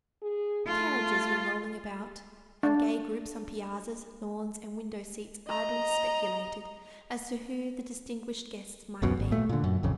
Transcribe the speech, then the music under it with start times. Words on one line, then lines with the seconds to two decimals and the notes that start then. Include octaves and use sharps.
Carriages were rolling about, and gay groups on piazzas, lawns, and window-seats idly speculated as to who the distinguished guests might be.
0.22 G#4
0.67 A3 F4
2.63 D4
5.47 D#5 A#5
9.02 D1 A1 F#2 B2
9.19 G#1
9.31 A#2 A3
9.49 A#2 D3
9.64 F#2
9.83 A1 F2 C#3